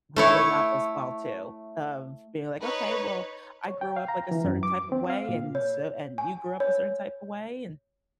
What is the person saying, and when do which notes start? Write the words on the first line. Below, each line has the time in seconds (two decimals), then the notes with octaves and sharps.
growing up as well too, of being, like, "Okay, well, I grew up, like, a certain type of way, and so and you grew up a certain type of way, and
0.16 A3 E4 C#5
2.60 D#4 B4 C#5
3.68 C#5
3.81 G5
3.96 F5
4.08 A#5
4.31 E3
4.44 F#2
4.63 D6
4.92 C4
5.10 F5
5.29 A#2
5.55 C#5
6.18 G#5
6.60 C#5